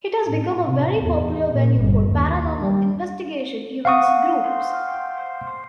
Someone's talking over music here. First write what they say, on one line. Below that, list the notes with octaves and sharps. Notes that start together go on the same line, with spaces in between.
It has become a very popular venue for paranormal investigation events groups.
A2
C3
E2
A#2
G1
D#2
G3
F5 F#5 C#6 D#6